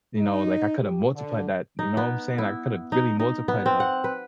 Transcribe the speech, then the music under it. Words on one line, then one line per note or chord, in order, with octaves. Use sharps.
you know, like, I could have multiplied that, you know what I'm saying? I could have really multiplied it, like,
D#4
G4
D3
D#4
B3
E4
D#4
D#4
B3
C4
F#5
B4